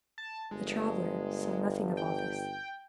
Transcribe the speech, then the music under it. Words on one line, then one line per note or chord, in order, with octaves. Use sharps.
The traveller saw nothing of all this.
A5
G1 G#3
G5